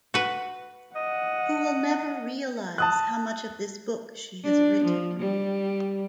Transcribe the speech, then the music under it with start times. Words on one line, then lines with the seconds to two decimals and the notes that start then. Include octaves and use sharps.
Who will never realize how much of this book she has written.
0.14 F#4 B4
0.96 D#5 F#5
2.78 A5 D#6 F#6
4.44 D4
4.84 F3
5.20 G3